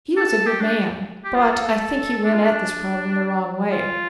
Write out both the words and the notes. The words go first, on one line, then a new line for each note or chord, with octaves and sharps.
He was a good man, but I think he went at this problem the wrong way.
A4
G4
D4
G4
F4
A4
D4
F4
D4
F4